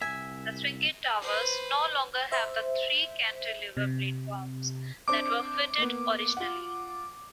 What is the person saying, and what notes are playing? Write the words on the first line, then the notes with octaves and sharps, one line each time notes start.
The Swingate towers no longer have the three cantilever platforms that were fitted originally.
C2 B2 E5 G#5
B4 C5
C5 E5
C3
C4 D4 C5 D6
A#3 B3
F4 F#5